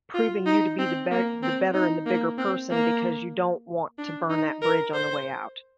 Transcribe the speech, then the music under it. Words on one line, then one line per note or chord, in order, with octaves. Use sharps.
proving you to be the ber the better and the bigger person, because you don't want to burn that bridge on the way out.
F4
D#4
C4
A#3
C4
D#4
A#3
C4
A#3
D4
D#4
A#4
C5